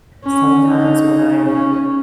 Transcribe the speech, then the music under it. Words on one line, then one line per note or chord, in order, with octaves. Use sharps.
sometimes when I
C#4
D#4
C#4